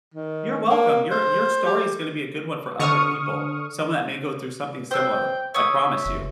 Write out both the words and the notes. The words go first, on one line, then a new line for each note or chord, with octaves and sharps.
you're welcome. Your your story is gonna be a good one for other people, someone that may go through something similar. I promise you,
D#3
A#3
C5
G4
D3 C#6 D#6 F6
C5 G5 E6
C#5 E5 D#6
F#1